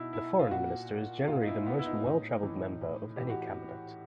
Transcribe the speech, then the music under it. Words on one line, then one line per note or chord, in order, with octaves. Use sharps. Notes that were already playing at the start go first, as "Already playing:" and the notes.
The foreign minister is generally the most well-traveled member of any cabinet.
Already playing: B2 D#4 E4
E4
F4
A#2 F#4
A#2 F4
D#4
E4
B3
E4
D#4
A2
E3
A2
E3 G4
F#4